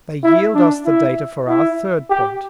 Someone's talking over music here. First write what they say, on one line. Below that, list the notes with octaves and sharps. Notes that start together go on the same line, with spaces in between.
They yield us the data for our third point.
E4
D4
E4
E4
G4